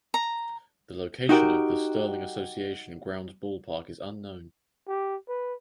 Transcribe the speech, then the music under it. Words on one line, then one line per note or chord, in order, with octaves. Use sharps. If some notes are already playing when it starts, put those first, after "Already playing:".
The location of the Sterling Association Grounds ballpark is unknown.
A#5
D#4 F#4 G4 A#4
G4
B4